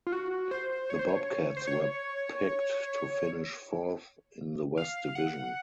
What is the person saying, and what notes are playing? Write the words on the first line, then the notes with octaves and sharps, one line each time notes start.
The Bobcats were picked to finish fourth in the West Division.
F4
F#4
C5
C#5
C5
C#5
C5
C#5
F5
F#5